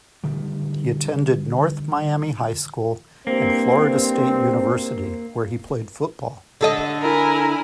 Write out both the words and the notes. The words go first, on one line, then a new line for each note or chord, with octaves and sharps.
He attended North Miami High School and Florida State University where he played football.
A#2 D3 D#3 G3
G2 A#3 C4
D3 A4 D#5
E4 A#4 G#5